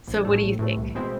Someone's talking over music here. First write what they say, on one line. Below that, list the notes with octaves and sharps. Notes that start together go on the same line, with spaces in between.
So what do you think?
A#1
A2 E3 A3
A#1
A2 E3 A3
C2
B2 G#3 C4 E4